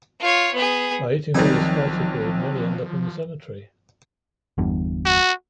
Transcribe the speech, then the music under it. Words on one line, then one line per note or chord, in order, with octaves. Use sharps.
By eating very spicy food, many end up in the cemetery.
F4 C#5
B3 G#4
B1 D#3 F3 G3 C4 G#5
G1 E2 G2
F#4